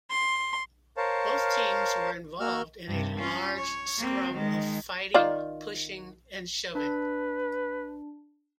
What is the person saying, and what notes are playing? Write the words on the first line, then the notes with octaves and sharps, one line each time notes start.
Both teams were involved in a large scrum of fighting, pushing, and shoving.
C6
A#4 C5 C#5 F5 A5
A#3 F#4 E6 F6
G2 C3
C#4 F4
C#5
A#3 C4
D#3 G#3
D#3 F4 D5
D4 B4 A5